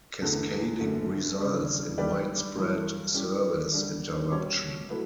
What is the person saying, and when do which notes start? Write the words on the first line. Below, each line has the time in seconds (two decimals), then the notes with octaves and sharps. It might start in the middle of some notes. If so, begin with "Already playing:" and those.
Cascading results in widespread service interruption.
0.22 E2 D3 A3
0.80 F#2 D3 A3
1.39 C#3 G3 D4
1.98 G3 D4 G4 B4 D5
2.56 G2 E3 G3
3.14 G3 C#4 E4 G4
3.73 D3 G3 D4
4.31 B2 G3 C#4 G4 C#5
4.90 F#3 A3 E4 B4